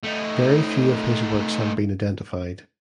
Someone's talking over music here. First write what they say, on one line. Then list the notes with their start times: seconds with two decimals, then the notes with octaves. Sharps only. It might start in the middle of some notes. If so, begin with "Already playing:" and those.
Very few of his works have been identified.
0.04 A3 D#4